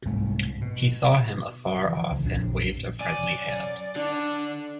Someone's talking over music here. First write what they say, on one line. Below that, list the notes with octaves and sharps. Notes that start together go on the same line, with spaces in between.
He saw him afar off and waved a friendly hand.
C2 G#2 A3
B2
E3 F3
C#2
A#1 F2 A#2 D4
F#2 D5 G#5
D3 D4